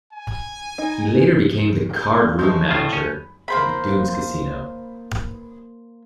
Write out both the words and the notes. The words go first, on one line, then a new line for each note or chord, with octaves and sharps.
He later became the card room manager at the Dunes casino.
G#5
D#4
G6
F3 G#3 A3 C6 G6
A2 F4
C#4
A#3 C5 B5